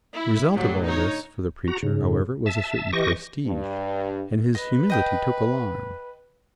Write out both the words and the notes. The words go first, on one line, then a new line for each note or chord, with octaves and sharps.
The result of all this for the preacher, however, was a certain prestige, and his humility took alarm.
E4
A2 D3 F#3 G3
D#4 C#5
F#4 A#5
G#2 C#3
E5 A5
E3 G4 D#5 C#6 A#6
G2
B4 D#5
D#5 G5 D#6